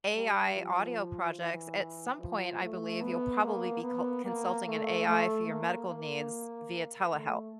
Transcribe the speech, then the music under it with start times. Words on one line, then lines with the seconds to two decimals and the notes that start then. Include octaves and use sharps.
AI audio projects, at some point, I believe you'll probably be col consulting an AI for your medical needs via telehealth,
0.15 G3
0.56 F3
1.37 E3
2.19 F3
2.61 A3
3.02 B3
3.43 A#3
3.84 B3
4.25 A#3
4.66 A3
5.08 A3
5.48 A#3
5.89 A#3
7.12 A3